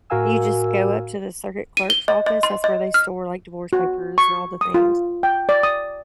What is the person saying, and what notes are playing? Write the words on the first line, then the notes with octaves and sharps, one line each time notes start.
you just go up to the circuit clerk's office- that's where they store, like, divorce papers and all the things-
A2 F#4 A#4 F5 G#5 E6
D#7
G7
D#5
D#5
C6
D#5
F6
F#4
C#6
D#6
F4
G5
D5
D#6